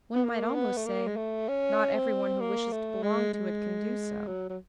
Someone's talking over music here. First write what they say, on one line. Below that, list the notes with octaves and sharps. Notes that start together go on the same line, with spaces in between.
One might almost say: Not every one who wishes to belong to it can do so.
B3
A#3
B3
A3
A#3
G#3
A3
C#4
C4
A#3
A3
G#3
G#3
F#3
F#3